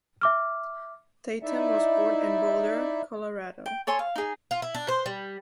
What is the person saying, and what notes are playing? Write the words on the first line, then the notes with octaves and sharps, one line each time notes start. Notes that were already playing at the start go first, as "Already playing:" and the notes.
Tatum was born in Boulder, Colorado.
E5 D6 F6
D#4 E4 D5 E5
G5
A4 C#5 G#5 C6
F5
D#4 G#4
F4
E4
D4
C5
G3